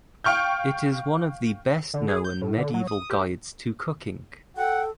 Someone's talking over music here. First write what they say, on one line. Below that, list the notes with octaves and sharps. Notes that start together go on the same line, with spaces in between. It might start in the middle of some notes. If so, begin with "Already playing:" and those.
It is one of the best-known medieval guides to cooking.
F5 G5 C#6 F6 G6
D3
G#4
G6
A2
D3
F#3
D#6
G4
A4 F#5 G5